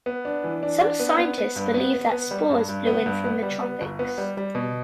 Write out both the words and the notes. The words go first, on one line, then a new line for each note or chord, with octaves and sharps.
Some scientists believe that spores blew in from the tropics.
B3
D4
E3
D4
D4
B3
B3
B3
G2
B3
B3
B3
G3
G2
G2
B3
G2
B3
G3
B3
G1
B3
G3
G3
B2